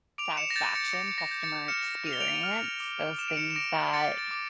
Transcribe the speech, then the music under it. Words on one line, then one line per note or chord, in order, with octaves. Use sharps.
satisfaction, customer experience, those things that,
D6 D7 F7
C#7 E7
A#6
G6 A6
A6 C#7
C#7
D6 A#6
C#7
A#6
G6
A6 C#7
F6 C#7 E7
F6 F7
G7
D7 F7
F6
D6
D6 E7
D7
C#7 E7
E7
D6 A#6 D7
G6 A6 C#7
A6
D6